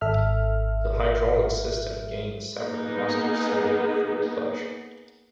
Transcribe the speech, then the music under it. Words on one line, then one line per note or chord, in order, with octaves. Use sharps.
The hydraulic system gained a separate master cylinder for the clutch.
G#1 A4 E5 F6
A#3 B3 D#4 G#4 B4